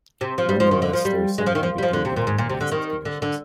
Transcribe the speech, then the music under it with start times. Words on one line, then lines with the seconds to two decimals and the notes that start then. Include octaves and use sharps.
Nonetheless, there is some ambiguity in the licence conditions.
0.21 C3
0.38 F3
0.49 G3
0.60 F3
0.71 D#3
0.82 D3
0.93 F3
1.05 G3
1.38 G#3
1.46 F3
1.55 D#3
1.63 F3
1.78 G3
1.83 F3
1.93 D3
2.05 C3
2.16 A#2
2.27 G#2
2.38 A#2
2.49 C3
2.61 D3
2.72 D#3
3.05 D3
3.22 D3